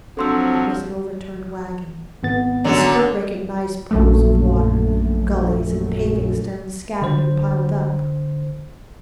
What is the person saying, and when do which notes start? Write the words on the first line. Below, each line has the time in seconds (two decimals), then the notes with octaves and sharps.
It was an overturned wagon; his foot recognized pools of water, gullies, and paving-stones scattered and piled up.
0.17 F3 F#3 C4 D4 A4 C6 E6
2.23 G#1 B3 A6
2.64 F#2 D3 F#3
3.91 A#1 F#2 A3
7.02 D3 C5